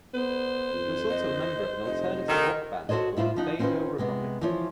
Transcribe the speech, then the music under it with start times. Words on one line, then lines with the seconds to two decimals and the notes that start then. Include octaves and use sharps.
She was also a member of an alternative rock band called Playdoh Republic.
0.14 B3 C5
0.73 F2
1.10 D#5
1.86 F1 D#5
2.28 D2 D#3
2.89 F#4 A4 C5 C#5 D#5
3.16 A2 E4 F4 C5
3.36 F3 D#4 F#5
3.59 C4 C#4 D#4 F4 B4 C5
3.98 C3 G#3 B3
4.41 E3 F3 C#5